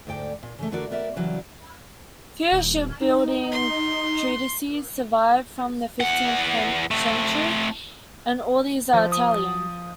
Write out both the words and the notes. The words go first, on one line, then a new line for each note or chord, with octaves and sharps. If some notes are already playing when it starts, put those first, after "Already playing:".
Few shipbuilding treatises survive from the fifteenth century, and all these are Italian.
D2 G#2 D5 G5
A#2
C#3 E3 A3
D3 A3 F#4 A#4 D5
B3 A#4 D5 E5
C#3 E3 F#3 G3
D#1
D#4
C6
E2 F#5
A3 C4
F3
D#6